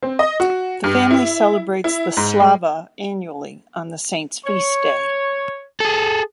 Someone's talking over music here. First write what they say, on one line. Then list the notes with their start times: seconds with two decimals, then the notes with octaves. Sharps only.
The family celebrates the Slava annually on the saint's feast day.
0.03 C4
0.19 D#5
0.40 F#4
0.84 G2
1.11 E4
1.84 E4
2.17 G#2
2.40 G#3
4.44 C#5
5.80 G#4 A4